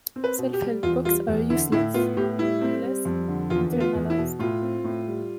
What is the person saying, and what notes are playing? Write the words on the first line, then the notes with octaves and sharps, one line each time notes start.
Self-help books are useless unless internalized.
C4
B4
B2
G4
G3
E2 F4
G3 F4
E2
D3 E4
A2 E4
B3 F4
A2 G4
G3 E4
C4
G3
F2
D3
E2 F4
B3
F4
E2
E4
B2
A2 F4
C4
A2
G3